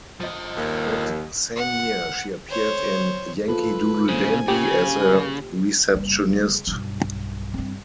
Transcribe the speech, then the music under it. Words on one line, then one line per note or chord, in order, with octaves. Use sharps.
That same year, she appeared in "Yankee Doodle Dandy" as a receptionist.
F3 D#5
D#2
F#5
C5 C#5
F4 A4 B4
C#3 A#3 D4 C5 G#5
C#3 G4
F#1 G3
B1 G2
G2 C4